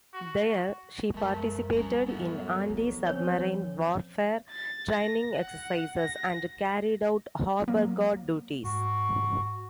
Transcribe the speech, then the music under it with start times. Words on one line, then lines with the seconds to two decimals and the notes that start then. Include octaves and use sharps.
There, she participated in antisubmarine warfare training exercises and carried out harbor guard duties.
0.14 F#4
1.14 F#2 F3 G#3 A3 A#4 A5
1.73 G3 C#4 A#5
2.07 F#2 A2 B3 A4
2.70 B1 F3
3.07 C4 C#4 C#5
4.51 A6
4.93 A#6
5.36 F#5
5.99 A#6
7.68 F#3 A#3
8.64 G#2 F#4